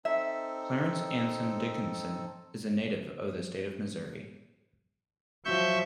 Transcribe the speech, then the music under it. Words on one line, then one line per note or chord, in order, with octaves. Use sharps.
Clarence Anson Dickison is a native of the state of Missouri.
C4 D#4 A4 E5
F3 F#3 E5 C#6 G6